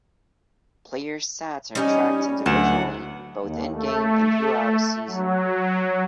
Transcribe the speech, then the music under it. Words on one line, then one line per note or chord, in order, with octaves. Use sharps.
Player stats are tracked individually both in-game, and throughout a season.
G3 C#4 D#4 D#5
D2 F#3 B3 F#5 E7
D#2
A3
F#3